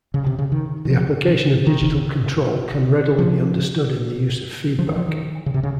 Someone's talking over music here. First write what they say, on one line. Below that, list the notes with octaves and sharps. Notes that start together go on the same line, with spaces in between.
The application of digital control can readily be understood in the use of feedback.
C#3
C3
C#3
D#3
D#3
F3
D#3
D#3
F3
F3
D#3
F3
D#3
C#3
C3
C#3